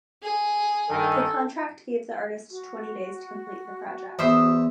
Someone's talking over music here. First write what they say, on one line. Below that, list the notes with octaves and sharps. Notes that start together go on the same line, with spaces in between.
The contract gave the artist twenty days to complete the project.
G#4
G2 D#3 A4
F#4
E2 B3 C5 E5 D#6